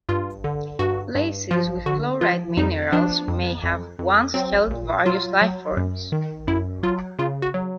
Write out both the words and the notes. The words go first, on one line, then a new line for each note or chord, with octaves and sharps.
Places with chloride minerals may have once held various life forms.
G2 F4
D3
G2 F#4
G2
F3 F4
D3 F#4
F3 F4
F2 D#4
F3 D4
F2
F2
F2
F#3 C4
A#2
F#3 F4
F#3
F#2
D#3
F#2 E4
F#3 F4
C#3 F4
F#4
F#3